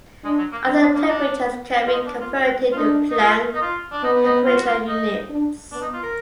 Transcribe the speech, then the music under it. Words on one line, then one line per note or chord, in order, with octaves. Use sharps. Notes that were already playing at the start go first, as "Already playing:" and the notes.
Other temperatures can be converted to Planck temperature units.
G#3 D4
F#3
A#3
F#3 D4
G#3
A#3
D#4
D4
F4
D#4
D4
F4
F#4
F4
D4 D#4
D#4
F4
D#4
F4
D4
B3 D#4
D#4
F4
F#4
F4
D#4
D4
B3 D4
D#4
F4
A#4